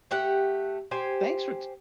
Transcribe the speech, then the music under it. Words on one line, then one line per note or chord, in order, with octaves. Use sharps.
thanks for t
A3 G4 F#5
G4 C5 G#5